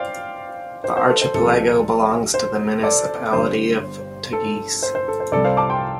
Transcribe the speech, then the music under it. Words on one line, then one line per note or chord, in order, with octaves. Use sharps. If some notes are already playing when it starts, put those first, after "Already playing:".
The archipelago belongs to the municipality of Teguise.
Already playing: C5 D5 F5 G5
C5
C5
A4
C5
C2 C3 F3 A4
C5
A4 D5
G1 G2 G3 C5
A4
C5
C5
A4
C5
C2 C3 G3 A4 D5
C5 F5
A5 D6
G5 C6